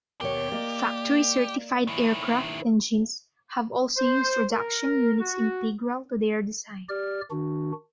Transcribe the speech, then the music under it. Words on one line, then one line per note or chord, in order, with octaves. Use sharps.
Factory certified aircraft engines have also used reduction units integral to their design.
D#2 B2 G4 C#5
A#3 D5 D#5
D#3 E4
C5
A#4
F#4
G4 D5 F6
D#3 D4 F#4